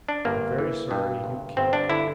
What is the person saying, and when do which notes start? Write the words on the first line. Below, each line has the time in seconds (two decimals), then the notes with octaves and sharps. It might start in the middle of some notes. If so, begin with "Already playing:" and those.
"I am very sorry you can't."
0.08 D4
0.25 G1 A#3
0.58 E3
0.91 G2
1.24 G1
1.57 G1 C4
1.73 D4
1.89 D3 E4